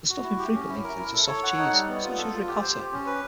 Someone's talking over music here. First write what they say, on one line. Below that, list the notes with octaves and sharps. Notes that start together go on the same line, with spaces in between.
The stuffing frequently includes a soft cheese, such as ricotta.
F#4
E4
G4
C#4
E4
A#4
E4
A4
C#5
F#5
D#4
G3
B3
F4
A4
F4
G4
C5
G4
C#4
B4